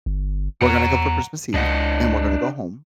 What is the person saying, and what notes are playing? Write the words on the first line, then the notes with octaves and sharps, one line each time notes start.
we're gonna come for Christmas Eve, and we're gonna go home,
G1
E2 F#5 A#5
C#2 D4 D#5 F#5